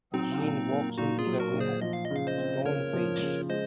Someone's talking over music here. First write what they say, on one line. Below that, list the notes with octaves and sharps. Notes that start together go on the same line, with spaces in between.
Jean walks into the room, stone-faced.
F#3 C4 D#4
A#2
A#3
A#2 D#4 F#4
F4 G#4
F#3
F#4 A#4
A#2
G#4 C5
F3 D#5
F5
D#5
C#3
F5
C5 D#5
C4
C#3 A#4 C#5
F3
C#3
G#3 C5 D#5